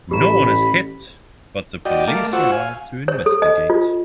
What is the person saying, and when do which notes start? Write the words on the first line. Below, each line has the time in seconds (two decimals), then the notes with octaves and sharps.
No one is hit, but the police arrive to investigate.
0.11 A1 G4 A#5 B5
1.85 F#4 D5 D#5 G5
2.08 A3 A#4 F5 A5 D6
2.33 F4 F#4 C5 F#5 C#6 E6
2.52 F5 G#5
3.08 C#5
3.26 A4
3.42 D#5
3.70 F4